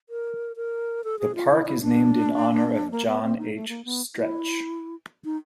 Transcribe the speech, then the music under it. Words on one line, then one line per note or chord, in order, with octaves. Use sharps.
The park is named in honor of John H. Stretch.
A#4
A#4
A4
G#4
F4
E4
E4
D4
A#3
B3
C4
D#4
A3
A#3
B3
E4
D#4